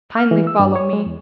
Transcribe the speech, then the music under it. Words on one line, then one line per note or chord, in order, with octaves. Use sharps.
"Kindly follow me."
F6
E3
E6
G2
C#5
G#3
E2